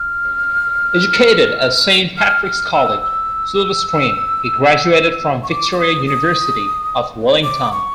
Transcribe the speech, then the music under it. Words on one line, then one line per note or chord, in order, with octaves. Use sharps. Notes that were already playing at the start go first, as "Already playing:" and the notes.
Educated at Saint Patrick's College, Silverstream, he graduated from Victoria University of Wellington.
Already playing: F6
F6
F6
E6
E6
C#6
D6
D6
D#6
D#6
D6
C#6